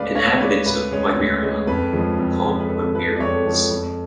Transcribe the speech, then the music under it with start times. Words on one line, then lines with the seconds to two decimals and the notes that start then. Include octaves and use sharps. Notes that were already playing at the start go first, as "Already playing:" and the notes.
Inhabitants of Quiberon are called "Quiberonnais".
Already playing: D2 C#3 G#3 C#4 B4 D5 F5
0.15 D2 C#5 F5
0.40 C#3 G#3 C#4 B4 D5
0.66 D2 B4
0.91 C#3 G#3 C#4
1.17 D2
1.43 C#3 G#3 C#4
1.67 F2 B4
1.93 C#3 F3 G#3
2.19 F2
2.44 C#3 F3 G#3
2.60 B4
2.69 F2 A4
2.95 C#3 F3 G#3 B4
3.16 D5
3.20 F2 A4 C#5
3.45 C#3 F3 G#3
3.71 F2